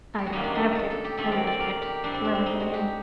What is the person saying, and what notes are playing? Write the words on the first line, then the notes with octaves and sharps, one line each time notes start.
"I don't have to--imagine it," murmured the man.
G4
F#4
F#2 D#3 F#3 A#3 D#4
D4
D#4
A4
A4
G4
F#2 D#3 A3 C4 A4
D5
D5
A#4
G4
A2 G3 C4 D4
C4
D4
C4
D#4
F#4
G4